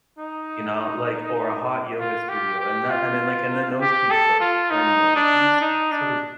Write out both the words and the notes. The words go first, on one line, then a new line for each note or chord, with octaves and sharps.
you know, like or a hot yoga studio. And that and then, like and then those keep, like, turning over. These sort of
D#4
F4
G4
G4
F4
G4
A4
F4
D#4
D4
D#4
D4